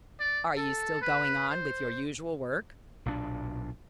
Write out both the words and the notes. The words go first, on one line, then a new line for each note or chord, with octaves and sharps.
"Are you still going on with your usual work?"
D5
A4
B4
C5
B1 A#2 F3 D4